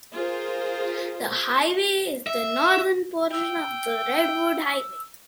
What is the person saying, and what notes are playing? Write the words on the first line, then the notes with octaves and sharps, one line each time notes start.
The highway is the northern portion of the Redwood Highway.
F4 G#4 A#4 C5
E5
G5 E6